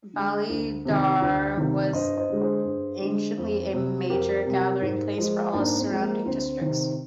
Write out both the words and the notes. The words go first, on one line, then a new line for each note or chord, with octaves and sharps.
Ballysadare was anciently a major gathering place for all surrounding districts.
D3 G#3
D2
C3 D#3
D2
C3 D#3
G2 C5 D#5
C5 D#5
D3 G#3
G#4 C5
G2
D3 G#3
F2
C3 G3
F2 G4 A#4
C3 G3
G#2
F3 G#3
G#2 A#3 D4
C4
F3 G#3
A#3
D2 C4
D#3
C3